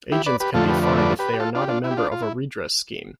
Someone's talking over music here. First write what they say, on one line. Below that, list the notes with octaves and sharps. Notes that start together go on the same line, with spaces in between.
Agents can be fined if they are not a member of a redress scheme.
E4 G4
B4 D5
G4 B4
F2 D3 F3 A3 F4 A4
G4 B4
B4 D5
E5
B4 D5
G4 B4
G4
F4 A4
D4 F4
G4
D4 F4
E4
G4
D4 F4
F4
E4